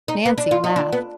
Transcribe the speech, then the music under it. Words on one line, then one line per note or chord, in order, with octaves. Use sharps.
Nancy laughed.
D#4
B3
D4
F4
D#4
D4
B3